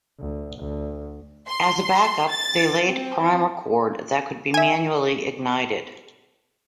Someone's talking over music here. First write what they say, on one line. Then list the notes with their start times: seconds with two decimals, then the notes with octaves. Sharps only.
As a backup, they laid primer cord that could be manually ignited.
0.20 D2
0.60 D2
1.47 C6
2.30 A6
2.86 C4
4.54 E5 G#5